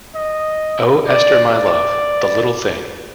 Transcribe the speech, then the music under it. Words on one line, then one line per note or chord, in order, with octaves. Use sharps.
Oh, Esther, my love, the little thing!
D#5
D5
D5